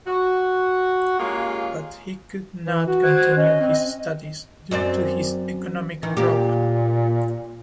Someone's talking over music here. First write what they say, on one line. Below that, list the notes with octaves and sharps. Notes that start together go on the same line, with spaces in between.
But he could not continue his studies due to his economic problem.
F#4
G#3 A#3 C#4 F4 G4 G#4
E3
F#4
C5 F#6 G#6
C#4 D#5
C4
F#2 C4 D5
D#3 E3
A#2 A#3 G4